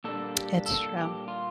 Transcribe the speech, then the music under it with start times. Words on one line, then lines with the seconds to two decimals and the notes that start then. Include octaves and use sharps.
It's true.
0.04 A#2 G3 A#3 D4 A4
0.35 G4
0.66 A4
0.97 G4
1.28 F4